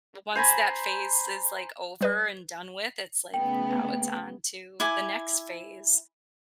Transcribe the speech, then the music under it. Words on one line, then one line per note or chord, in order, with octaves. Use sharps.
once that phase is, like, over and done with, it's like, now it's on to the next phase.
C5 G#5 A#5 B5
G3 B4 D5
C#3 A3 B3 G5
E4 G#5 D6